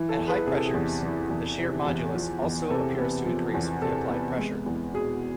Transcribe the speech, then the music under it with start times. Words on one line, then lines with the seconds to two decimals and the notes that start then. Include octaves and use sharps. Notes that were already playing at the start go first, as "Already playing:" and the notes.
At high pressures, the shear modulus also appears to increase with the applied pressure.
Already playing: E3
0.09 A4
0.18 E2
0.27 G#4 B4
0.46 C3 G#4
0.56 A4
0.66 G#4
0.74 E2
1.03 E3
1.30 E2
1.59 C3
1.86 E2
2.14 F3
2.41 E2
2.70 C3 A4
2.99 B3
3.26 F3
3.54 E2
3.82 C3 A4
4.09 B3
4.38 G#3
4.66 E2
4.93 B2 G#4